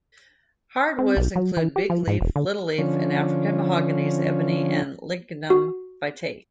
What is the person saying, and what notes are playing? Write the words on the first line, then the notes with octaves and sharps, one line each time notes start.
Hardwoods include big-leaf, little-leaf, and African mahoganies, ebony and lignum vitae.
C4
B1
F#3
E3
G4
F3
G#2
E1
D3
D3 F3 C#4
F#4